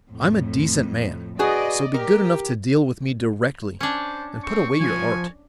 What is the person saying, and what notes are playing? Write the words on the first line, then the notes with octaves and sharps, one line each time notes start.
I'm a decent man, so be good enough to deal with me directly and put away your art.
F2 A2
F#4 G#4 B4 D5 D#5
G4 A#4
C#4 D4 C5
C4 C#6
F3 G#5